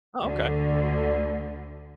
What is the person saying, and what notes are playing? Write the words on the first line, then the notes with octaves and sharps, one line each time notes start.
Oh, okay.
D2 D3